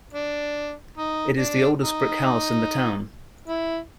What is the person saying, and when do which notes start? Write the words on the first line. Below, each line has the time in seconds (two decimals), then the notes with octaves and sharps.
It is the oldest brick house in the town.
0.14 D4
0.98 D#4
1.39 D4
1.81 D#4
3.48 E4